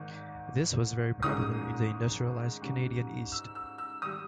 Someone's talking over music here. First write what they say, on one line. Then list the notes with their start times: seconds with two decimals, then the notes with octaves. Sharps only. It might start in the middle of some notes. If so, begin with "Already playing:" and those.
This was very popular in the industrialized Canadian east.
Already playing: G#1 G#2 D#3
1.22 G#1 G#2 D#3 G#3 C#4 D#6
2.62 G#2 G3 C#4
3.32 E6
3.55 E6
3.78 E6
4.02 G#1 G3 D#6